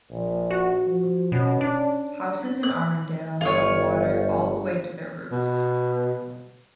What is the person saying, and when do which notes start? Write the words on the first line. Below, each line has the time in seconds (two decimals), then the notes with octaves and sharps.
Houses in Armourdale had water all the way to their roofs.
0.11 A#1
0.50 F#4
0.87 F3
1.32 B2 C#4
1.61 D4
2.63 F#6
3.41 G1 F4 C#5
5.31 B2